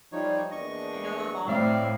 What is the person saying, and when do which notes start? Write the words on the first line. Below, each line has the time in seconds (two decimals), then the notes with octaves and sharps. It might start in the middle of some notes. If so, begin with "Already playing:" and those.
know my mom,
0.12 F3 G3 D#4 F4 C#5 D5
0.52 E2 A#3 D4 D#5 C#6
1.48 A2 C4 D5 E5 F5